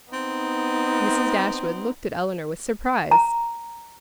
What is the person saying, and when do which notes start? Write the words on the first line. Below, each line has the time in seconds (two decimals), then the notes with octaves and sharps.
Mrs. Dashwood looked at Elinor with surprise.
0.13 B3 C4 D#4
3.11 A#5